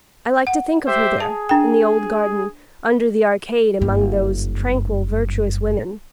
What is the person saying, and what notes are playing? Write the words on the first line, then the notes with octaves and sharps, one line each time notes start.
I like to think of her there, in the old garden, under the arcade, among those tranquil virtuous women.
F#5
G4 C5 E5
G#4 A5
D4 G5
F#1 G2